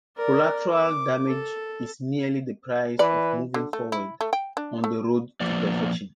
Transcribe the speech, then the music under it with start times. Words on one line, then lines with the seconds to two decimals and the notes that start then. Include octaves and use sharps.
Collateral damage is merely the price of moving forward on the road to perfection.
0.18 A#4 D5
0.69 D6
1.26 A4
2.99 E3 B4 D5
3.54 D3
3.73 A3
3.92 E4
4.21 A3
4.33 G5
4.57 D4
4.84 A3
5.41 F3 A#3 B3 D5